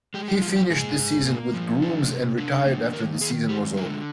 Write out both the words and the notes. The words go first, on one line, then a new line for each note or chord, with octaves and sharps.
He finished the season with Grooms and retired after the season was over.
G#3 G4
G4
F3 F4
G4
G#2 G#4
G#2
A#3
F3
D4
C3
D4
A#3
D#3 A#4
D#3 G#4
G#3 G4
D3 A#4